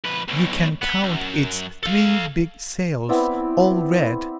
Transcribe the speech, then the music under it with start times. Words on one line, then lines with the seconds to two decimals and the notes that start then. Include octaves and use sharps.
You can count its three big sails--all red.
0.04 F2 B4
0.28 B1 A2
0.82 B3
1.04 F#2
1.83 A4 F5
3.09 B3 C4 E4 D5